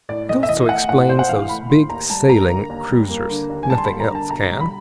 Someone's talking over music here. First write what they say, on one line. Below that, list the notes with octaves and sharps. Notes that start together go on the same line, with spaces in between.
It also explains those big sailing cruisers; nothing else can.
A2 D5
B1 D#5
E5
E3 D#5
A3 F#5
A2 F#5
B1 C5
F#5
E3 F5
A3 B5
A2 C6
D#2 A#5
G3 A5
A#3 A#5
D3
D#2
G3
A#3
D3
D#2
G#5
G3 A5
C6
A#3 B5
A#5
D3
A5
B1 A#5
G3
B5